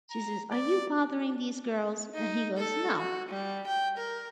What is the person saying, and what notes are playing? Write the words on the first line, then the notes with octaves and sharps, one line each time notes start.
she says, "Are you bothering these girls?" And he goes, "No."
A#5
D5
D#4
A4
F#4
G3
G5
A#4